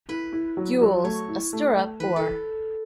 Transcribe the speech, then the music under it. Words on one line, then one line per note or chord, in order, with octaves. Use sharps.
Gules, a stirrup Or.
E4 B4
E4
F#3
F#3
A3 C#5
E4
A3
A3
E3 B4
A4